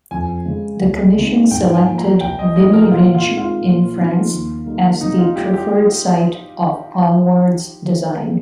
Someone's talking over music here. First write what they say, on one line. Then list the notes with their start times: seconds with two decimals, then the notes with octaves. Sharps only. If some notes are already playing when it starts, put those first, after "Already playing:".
The commission selected Vimy Ridge in France as the preferred site of Allward's design.
0.11 F2 G#5
0.46 C#3 G#3
0.80 C#2
1.16 C#3 G#3 C4 D#4
1.51 G#2 G5
1.74 G#5
1.86 F3 A#3
1.98 A#5
2.21 C2 G5
2.39 D#5
2.56 A#2 F3 G#3 D#4 D#5
2.73 A#4
2.90 A#2 F4
3.14 F4
3.26 G#3 C4 D#4
3.38 F4
3.61 A#2
3.96 F3 C4 D#4
4.31 D#2
4.66 D#3 G3 A#3 D#4
5.01 C3 D#4
5.18 F4
5.36 G3 C#4 G4
5.53 G4